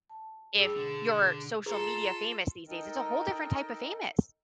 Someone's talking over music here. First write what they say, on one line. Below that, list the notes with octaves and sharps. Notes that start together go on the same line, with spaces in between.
if you're social media famous these days. It's a whole different type of famous.
A5
G2 G#4 E6
B2 D3
F4 G#4 A4 A#5
D#4 A4 A#4 D#5 G5